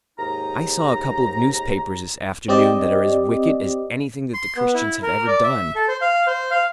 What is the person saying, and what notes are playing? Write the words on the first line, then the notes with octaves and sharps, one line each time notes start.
I saw a couple of newspapers this afternoon that are as wicked as anything that the Christians have ever done.
D#2 G#2 D#4 A#5
C4 G4 D5 D#5
C6
B3
E4
A#4
D5
E5
A4
C5
F5
C5
F5